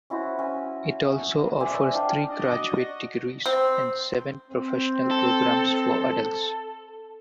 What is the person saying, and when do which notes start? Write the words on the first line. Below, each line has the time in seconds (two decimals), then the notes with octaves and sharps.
It also offers three graduate degrees and seven professional programs for adults.
0.10 C#4 E4 F#4 C5
0.39 C#4 G#5
1.60 C5 D5 E5 G#5
1.94 D4 D5 F5 G5
2.31 D4 F#4 D5 D#5
3.46 C4
4.51 C4
5.11 A4